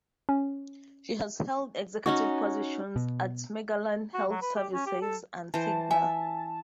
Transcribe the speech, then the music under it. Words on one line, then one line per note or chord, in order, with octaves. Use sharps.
She has held executive positions at Magellan Health Services and Cigna.
C#4
C#4 D#4 F#4 C#6
B2
F#4
F#3
B4
G4
C#4
G4
A4
E3 C5 A5
E5 G#5